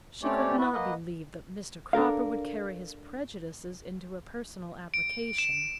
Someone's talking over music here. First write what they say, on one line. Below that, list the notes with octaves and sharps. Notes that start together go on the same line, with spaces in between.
She could not believe that Mr. Cropper would carry his prejudices into a personal application.
A3 C4 C#4 G4 C#5 D5
E4 F#4 B4
A#3 B4 D#5 F#5
D4 A4 A#4 F5
D7
E7